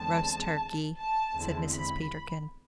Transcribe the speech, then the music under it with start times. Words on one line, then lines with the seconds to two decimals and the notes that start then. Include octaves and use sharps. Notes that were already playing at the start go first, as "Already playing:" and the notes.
"Roast turkey," said Mrs. Peterkin.
Already playing: E2 D3 G#3 C4 A5
0.97 A5
1.34 E2 D3 G#3 C4 E4
1.70 B5